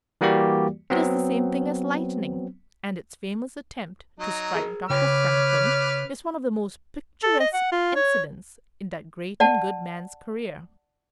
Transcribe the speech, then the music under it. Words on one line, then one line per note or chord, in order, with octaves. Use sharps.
It is the same thing as lightning, and its famous attempt to strike Dr. Franklin is one of the most picturesque incidents in that great and good man's career.
E3 G3 A#3 F#4 G4 D5
F#3 B3 C4
F#3 D#4
G#4 A#4
C#3 B4 C#5 G5 B5 D6 F6
A4
D#5
F#5
F4
C#5
D5 F#5 A5